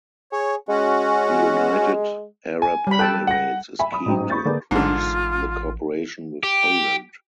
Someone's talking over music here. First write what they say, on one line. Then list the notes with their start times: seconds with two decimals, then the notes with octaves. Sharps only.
The United Arab Emirates is keen to increase the cooperation with Poland.
0.32 G#4 C#5
0.69 G#3 C#4 F#4
2.62 G#5
2.87 G3 B5
2.99 A4 G5 A5 F#6
3.27 F#5 A#6
3.79 E5 G#5 B5
3.92 B5 D#6
4.06 A1 G#2 F#3 G5
4.30 B5 C#6 G6 A6
4.45 D3 A#3 D4 G#4 B4
4.71 A1 G#2 D3 F4
6.43 G4